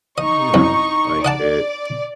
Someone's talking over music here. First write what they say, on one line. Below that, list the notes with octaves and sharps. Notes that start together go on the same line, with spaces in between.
you know, like, it, um,
D#4 D#5 C#6
C2 F#2
D5 D#5 F#5 A5